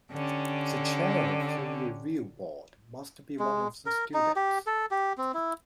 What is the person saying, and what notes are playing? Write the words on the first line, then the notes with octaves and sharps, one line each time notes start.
The chair of the Review Board must be one of the students.
D3 C#4 G4
G#3
A#4
D#4
G4
A4
G4
C4
E4